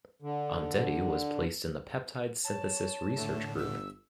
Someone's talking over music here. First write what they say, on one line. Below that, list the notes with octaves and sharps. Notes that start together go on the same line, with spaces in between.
Ondetti was placed in the peptide synthesis research group.
D3
C#5 A5
A2 D3 A3
G1 E6